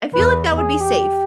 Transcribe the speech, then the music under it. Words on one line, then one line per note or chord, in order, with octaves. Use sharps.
I feel like that would be safe.
E2 B4
G#4
G4